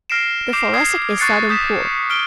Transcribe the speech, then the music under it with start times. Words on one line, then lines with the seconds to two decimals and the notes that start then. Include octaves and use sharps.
The Thoracic is seldom poor.
0.10 F6 A#6 C7 D7 E7
0.53 D6 G6 C7 E7 F7
0.73 D#6 G#6 C7
1.19 C#6 F#6 A6 C7 C#7
1.49 D#6 G6 B6 E7
2.10 F6 D7 G7